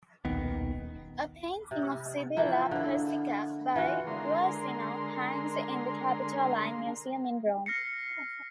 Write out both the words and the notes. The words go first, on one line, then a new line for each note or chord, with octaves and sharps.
A painting of Sibilla Persica by Guercino hangs in the Capitoline Museum in Rome.
D#1 B1 D#3 B3
C3
E3 F3 A#3 E4
D3 E4
E3 F4 F#4
D3 G#3 A#4 C6
F6 A#6 C7 C#7